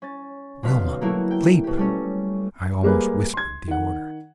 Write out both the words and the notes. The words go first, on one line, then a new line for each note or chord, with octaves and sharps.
"Wilma, leap!" I almost whispered the order.
C#4 A6
B1 B2 D3 F5 B6
F#3 A3 A#3 E4 F#4
G5
B2 G4
G3 A3 C#4
G3 G#3 A#3 G#4 B4
C6 G#6
D#3 F#5